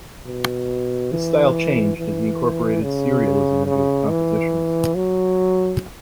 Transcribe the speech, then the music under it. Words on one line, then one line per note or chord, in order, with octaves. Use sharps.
His style changed as he incorporated serialism into his compositions.
B2
E3
E3
C#3
C#3
E3
F#3